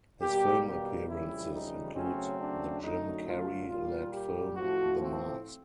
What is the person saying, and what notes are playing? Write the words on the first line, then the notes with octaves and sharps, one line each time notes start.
His film appearances include the Jim Carrey led film, "The Mask".
B2 G3 A#3 G4
G4
F2 C#3 E3 G3 E4
D#4
C#3 F#3 A3 C4 C#4
D4
F#2 D3 F#3 A3 D#4
F4
A#2 G3 A#3 F4
G4
A2 F3 A3 C4 F#4
C4